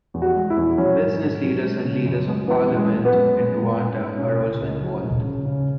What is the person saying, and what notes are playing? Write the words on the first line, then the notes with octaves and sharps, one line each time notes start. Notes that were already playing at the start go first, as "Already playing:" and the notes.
Business leaders and leaders of parliament in Rwanda are also involved.
E2
F#4
G#3
E4
E2
F#3 C#4
G#2
G#2
F#3
G#3
C#3
F#2
G#3
E3 B3
F#2
G#3
G#3
B3
F#2
G#3
G#3
G#3
G#2
B2 C#4
C#2
C#2
F#3
C#2
C#3
C#3